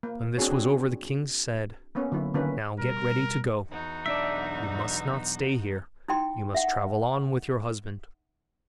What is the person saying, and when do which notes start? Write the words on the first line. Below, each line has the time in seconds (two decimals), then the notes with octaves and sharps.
When this was over the king said, 'Now get ready to go--you must not stay here--you must travel on with your husband.'
0.03 A#3
0.37 C4 D4 F#4 G#4 C#5
1.95 A#3 B3 C#4 C#5
2.12 D3 F#3 A#3 E4
2.34 D3 D#3 A#3 C#4 E4 B4
2.80 B2 G3 A#4
3.71 E2 D#4 F#4
4.06 B1 D4 D5 E5
6.08 D#4 E4 G5 C6
6.55 E5 F#5